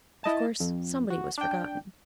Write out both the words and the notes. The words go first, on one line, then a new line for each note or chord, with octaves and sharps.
Of course somebody was forgotten.
E4 D#5 A5
F2
F#4
D4 G5